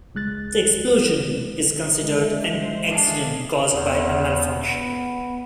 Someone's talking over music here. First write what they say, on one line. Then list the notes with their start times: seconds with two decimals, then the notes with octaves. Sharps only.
The explosion is considered an accident caused by a malfunction.
0.15 C#2 G#3 F#6 A6
2.00 G#3 D#5 E5
2.56 C5
2.89 D4 G#4 F5
3.71 E2
4.67 B3